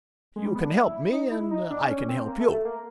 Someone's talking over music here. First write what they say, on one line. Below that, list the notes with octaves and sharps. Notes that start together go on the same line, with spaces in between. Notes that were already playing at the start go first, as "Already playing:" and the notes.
You can help me and I can help you.
G#3
G3
B3
D4
E4
D#4
E4
D#4
D4
C#4
C4
A#3
A3
A3
A#3